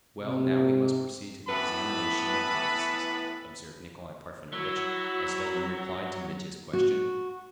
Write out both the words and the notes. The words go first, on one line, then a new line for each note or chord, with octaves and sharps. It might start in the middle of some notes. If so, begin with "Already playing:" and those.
"Well, now we must proceed to the examination of witnesses," observed Nikolay Parfenovitch, as though in reply to Mitya's question.
C3
A2 E3 B3 B4 A5 B5
F#3 E4
F#4